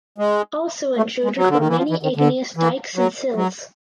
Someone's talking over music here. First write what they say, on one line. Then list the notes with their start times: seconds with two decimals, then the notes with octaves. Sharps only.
Also intruded were many igneous dikes and sills.
0.18 G#3
0.97 A3
1.24 G#3
1.37 F#3
1.48 D3
1.58 D#3
1.67 E3
1.77 F3
1.90 E3
2.03 D#3
2.16 D3
2.57 E3
2.96 F#3
3.36 F#3